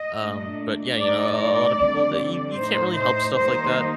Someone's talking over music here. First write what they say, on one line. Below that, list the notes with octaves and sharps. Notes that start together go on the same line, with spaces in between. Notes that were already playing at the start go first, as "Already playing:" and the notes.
Um, but yeah, you know a a a a lotta people that you you can't really help stuff like that,
Already playing: D#5
A#2 A3 D4
A2 A3 D#4 D5
D5
D3 G3 C4
D5
A2 A3 D#4 C5
C5
D#3 G3 A#3 D#4 C5